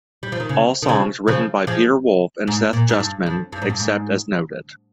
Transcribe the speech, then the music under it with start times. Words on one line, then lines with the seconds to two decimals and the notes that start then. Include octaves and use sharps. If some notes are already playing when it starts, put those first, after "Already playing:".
All songs written by Peter Wolf and Seth Justman, except as noted.
0.23 G3
0.32 F3
0.40 D#3
0.49 C#3
0.82 D#3
0.88 C#3 F3
1.28 C#3 F3
1.67 F3 G#3
2.47 G#2
2.73 A#2
2.89 G#2
3.00 G2
3.26 F2
3.52 G2
3.62 G#2
3.70 G2
3.79 G#2